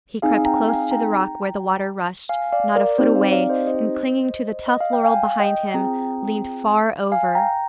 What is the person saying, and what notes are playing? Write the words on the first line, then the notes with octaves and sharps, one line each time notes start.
He crept close to the rock where the water rushed, not a foot away, and clinging to the tough laurel behind him, leaned far over.
C4 D#4 G#4 F5 G#5
G5 A#5
F5 G#5
G5 A#5
F5 G#5
D5 F5
A#4 D5
C4 D#4 G4 C5
D5 F5
D5 F5
C5 D#5
C5 D#5
D#5
F5
G5
F5 G#5
D#5 G5
C4 F4 G#4 G5 A#5
F5 G#5
G5 A#5